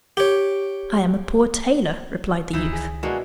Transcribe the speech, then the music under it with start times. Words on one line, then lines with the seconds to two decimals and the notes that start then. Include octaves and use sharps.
'I am a poor tailor,' replied the youth.
0.17 G4 C#5
2.53 C#2 D#3 E3 D#4 E4
2.72 G#4
3.03 B2 G#3 A#3 D4 E4 F#4